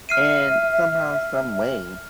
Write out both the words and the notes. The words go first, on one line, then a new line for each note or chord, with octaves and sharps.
and somehow, some way,
E5 F6 C7 D#7